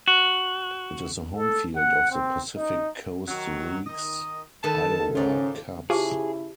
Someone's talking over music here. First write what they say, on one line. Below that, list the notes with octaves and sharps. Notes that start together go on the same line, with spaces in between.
It is the home field of the Pacific Coast League's Iowa Cubs.
F#4
A4
F#5
C4
D#4
D#3 F#3
D#3 D#5
D#3 A4 B4 A5
G#2 C#4 F4 D5
C#3 E4 F4 G4 G#4 C5 A5 D6